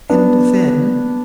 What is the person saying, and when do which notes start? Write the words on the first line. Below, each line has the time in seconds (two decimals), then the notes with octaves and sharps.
"And then?"
0.10 B3 D4